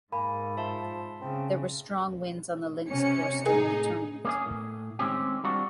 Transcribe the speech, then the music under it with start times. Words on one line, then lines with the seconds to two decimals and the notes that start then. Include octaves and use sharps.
There were strong winds on the links course during the tournament.
0.12 G#2 A#3 G#5 B5
0.57 F3 E5 A5 C6
1.22 C#3 C4
2.90 C3 C#4 C#7
3.46 A2 D#4 G#4
4.25 A#3 C#4 G#4
4.46 A2
4.99 D#3 G#3 C4 C#4 G4
5.44 G3 C4 D4 F4 F#4